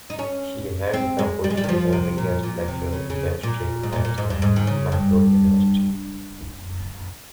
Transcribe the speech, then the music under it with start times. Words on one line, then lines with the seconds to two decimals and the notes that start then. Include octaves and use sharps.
She held the position of a guest lecturer in chemistry at the Mahidol University.
0.10 D#4
0.19 C#4
0.94 C4
1.19 G#3
1.44 G3
1.50 G#3
1.57 G3
1.64 D#3
1.69 F3
1.93 C3
2.18 A#2
2.43 A#2
2.68 C3
2.93 C#3
3.10 C#3
3.43 A#2
3.83 G#2
3.92 A#2
4.05 A#2
4.18 G#2
4.30 G2
4.42 G#2
4.56 D#3
4.67 C#3
4.92 G2